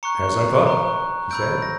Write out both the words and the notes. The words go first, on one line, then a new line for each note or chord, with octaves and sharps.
"As I thought," he said.
A#5 C#6 F#6 C#7
A#5 C#6 F#6
B5 E6 G6 D7
A#6